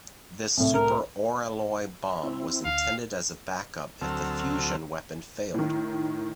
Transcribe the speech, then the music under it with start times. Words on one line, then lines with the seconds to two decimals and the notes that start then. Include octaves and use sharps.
This "Super Oralloy Bomb" was intended as a backup if the fusion weapon failed.
0.57 C2 A2
0.74 A#4
2.23 C4 E4
2.65 D2 F5
4.01 D2 F#3 C4 A4 E6 F6
5.54 A2 D#3